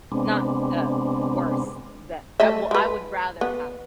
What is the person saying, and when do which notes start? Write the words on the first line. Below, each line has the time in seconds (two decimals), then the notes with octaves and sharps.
not, uh, worse that I, well, I would rather h
0.12 C3 G#3 B3 C4 D4
2.40 A3 D#5 E5
2.71 G#3 B4
3.41 B3